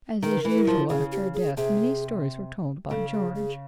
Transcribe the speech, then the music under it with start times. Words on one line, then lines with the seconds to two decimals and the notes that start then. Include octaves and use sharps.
As is usual after a death, many stories were told about George.
0.23 D#3 A#4
0.32 B4
0.41 A#4
0.45 E3 B4
0.58 A#4
0.67 F3
0.89 C#3 G#4
1.12 G4
1.34 G#4
1.57 C3 G#4
2.90 C#3 A4
3.13 G#4
3.35 G#4